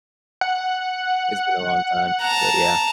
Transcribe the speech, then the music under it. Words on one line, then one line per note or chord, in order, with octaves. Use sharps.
it's been a long time, but yeah.
F#5
A5 A#5